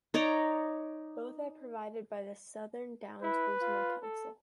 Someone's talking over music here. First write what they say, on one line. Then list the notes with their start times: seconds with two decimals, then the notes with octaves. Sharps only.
Both are provided by the Southern Downs Regional Council.
0.14 D#4 C#5 D5 A#5
3.23 E4 B4
3.62 F4
4.02 A4